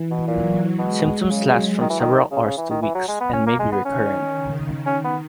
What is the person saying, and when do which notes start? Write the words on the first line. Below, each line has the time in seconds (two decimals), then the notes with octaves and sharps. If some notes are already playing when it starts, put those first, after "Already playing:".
Symptoms last from several hours to weeks and may be recurrent.
Already playing: E3
0.11 B2
0.28 A#2 F#3
0.78 B2 G#3
1.29 C#3 F#3
1.81 D#3
1.90 E3
2.00 D#3
2.31 C#3
2.44 C#3
2.57 E3
2.70 D#3
2.83 E3
2.95 F#3
3.08 G#3
3.21 B3
3.33 C#4
3.46 A#3
3.59 G#3
3.72 B3
3.84 D#3 C#4
4.36 C#3
4.86 D#3 C#4
5.04 B3